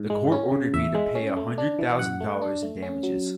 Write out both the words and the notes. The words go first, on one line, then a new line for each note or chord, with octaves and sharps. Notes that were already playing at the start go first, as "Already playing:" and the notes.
The court ordered me to pay a hundred thousand dollars in damages.
Already playing: G#2
G#3
C#4
C#3
E2 E5
G#3
C#4
A3
D4
E3
F#2 F#5
A3
D4
A3
C#4
F#3